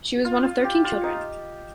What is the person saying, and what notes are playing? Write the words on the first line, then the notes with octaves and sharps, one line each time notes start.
She was one of thirteen children.
F4
F4
G4
F4
D#4